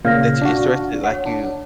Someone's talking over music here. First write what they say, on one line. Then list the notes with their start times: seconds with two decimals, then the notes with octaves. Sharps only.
that you're interested like, you
0.05 A#2 C#3 F5 F6 A#6
0.41 D4 F#4
1.04 C#5 F#5
1.26 D4